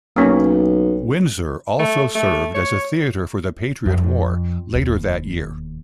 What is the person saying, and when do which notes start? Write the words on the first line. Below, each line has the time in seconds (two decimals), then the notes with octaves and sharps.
Windsor also served as a theatre for the Patriot War, later that year.
0.16 B1 A#3 C#4
1.79 A3
2.15 A3
2.55 C#5
3.85 F2
4.72 E1 D#2